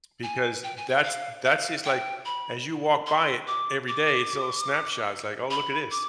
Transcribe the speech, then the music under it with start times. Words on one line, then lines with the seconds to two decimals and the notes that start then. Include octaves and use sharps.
because that's that's just like, as you walk by it every day, it's a little snapshot, it's like, "Oh look at this.
0.23 G#5
0.64 G5
0.77 G#5
0.89 G5
1.04 F5
1.44 F5
1.85 G5
2.25 B5
3.07 C6
3.47 D6
3.88 D6
5.50 B5
5.91 D6